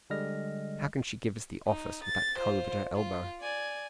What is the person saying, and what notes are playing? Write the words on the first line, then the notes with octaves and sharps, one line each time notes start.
"How can she give us the office with that cove at her elbow?"
D3 G3 G#3 D#5 F6 A#6
D#4
A6
F4 C5
F4
D5 G#5